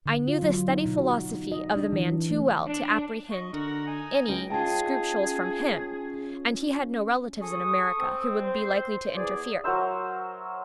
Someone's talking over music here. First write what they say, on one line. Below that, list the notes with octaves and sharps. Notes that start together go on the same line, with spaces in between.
I knew the steady philosophy of the man too well to apprehend any scruples from him; and he had no relatives in America who would be likely to interfere.
D3
F4
F#3
D#4
B2
F#4
D#4
D#5
D4
E3
A3
D4
D#5 C#6
D3 F#4 A#4 F#5
D#4 G#5
C#2 A#4 G5
C#4 D#4 F4 G#4 G5 A5
G#4 A4 C#6 D#6
C4
C5
E2 G#4 D5
F#3 A#4 C5 E5